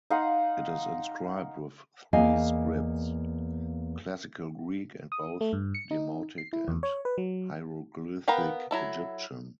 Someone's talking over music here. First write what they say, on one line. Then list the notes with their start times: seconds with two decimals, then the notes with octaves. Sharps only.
It is inscribed with three scripts: classical Greek and both Demotic and hieroglyphic Egyptian.
0.10 D#4 F5 F#5 C6
2.13 E2 A#3 D#5 F5 G#5
5.12 D#6
5.41 A3
5.53 G2
5.75 C#7
5.91 D#4
6.38 C7
6.53 E4
6.68 E2
6.83 C#5
7.05 B4
7.18 F#3
8.28 B3 A#4 B4 F5 G5
8.71 F#3 E4 A4